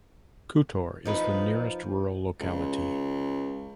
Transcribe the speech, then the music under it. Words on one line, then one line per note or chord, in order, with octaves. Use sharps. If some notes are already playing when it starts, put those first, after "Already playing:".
Khutor is the nearest rural locality.
F3 D#4 B4
C#2